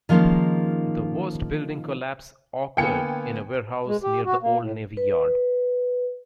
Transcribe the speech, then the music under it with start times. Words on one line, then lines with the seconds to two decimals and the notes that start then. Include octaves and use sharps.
The worst building collapse occurred in a warehouse near the old Navy Yard.
0.09 D#3 F3 G#3 A#3 C#4 D#4
2.77 D3 A#3 B3 G5 G#5 C#7
3.87 G#3
4.03 G4
4.25 F#4
4.42 A#3
4.60 A2
4.97 B4